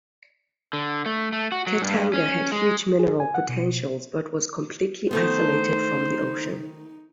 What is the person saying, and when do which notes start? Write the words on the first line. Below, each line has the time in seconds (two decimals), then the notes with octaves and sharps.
Katanga had huge mineral potential but was completely isolated from the ocean.
0.73 D3
1.06 A3
1.33 A3
1.52 F#4
1.67 F#3
1.82 G2
2.13 C#4
2.52 G#3
2.99 G#4
3.20 G#5
3.34 F#5
3.49 B2
5.11 D#3 A3 B3 D#4 C5